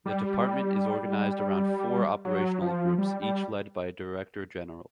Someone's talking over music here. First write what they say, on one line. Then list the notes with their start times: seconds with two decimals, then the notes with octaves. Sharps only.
The department is organised around four operational groups, each led by a director general.
0.06 G3
2.25 F#3
2.61 F3
2.98 G3
3.22 G3